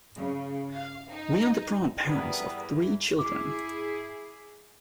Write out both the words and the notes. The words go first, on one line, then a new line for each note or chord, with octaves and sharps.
We are the proud parents of three children.
C#3
F5
D#4
E2 G3 B3 A#4 B4 D#6
E4 G#4 D6